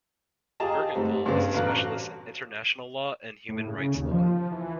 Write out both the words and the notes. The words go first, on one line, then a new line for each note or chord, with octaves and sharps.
Buergenthal is a specialist in international law and human rights law.
F4 G4 G#4 D#5 A5 A#5
G#2 G3 A3 C4
G2 C#3 B3 C4 D4
A1 F#4 B4 F5 A#5 F#6
A2
C#3
D#2
F3
E3